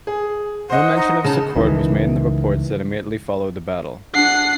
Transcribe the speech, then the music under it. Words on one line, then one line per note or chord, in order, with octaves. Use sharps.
No mention of Secord was made in reports that immediately followed the battle.
G#4
C5 D#5 F#5
D#4
C#3 A5
C#2 D#3 E3
D4 F#5 C7